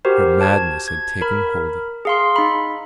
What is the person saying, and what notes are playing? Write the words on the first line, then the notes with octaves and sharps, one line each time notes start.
Her madness had taken hold of her.
F#4 G4 A#4 C5
A5 G#6
G#6
A#4 B5
G#4 F5 C6
D#4 B5